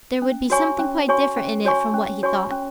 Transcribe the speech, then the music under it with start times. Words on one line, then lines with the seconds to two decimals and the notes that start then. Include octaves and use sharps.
There would be something quite different in it from what he thought.
0.22 C#4
0.50 F#4 C#5 G#5 C#6
0.79 C#4
1.08 F#4 C#5 G#5 C#6
1.37 C#4
1.65 F#4 C#5 G#5 C#6
1.94 C#4
2.23 F#4 C#5 G#5 C#6
2.51 C#4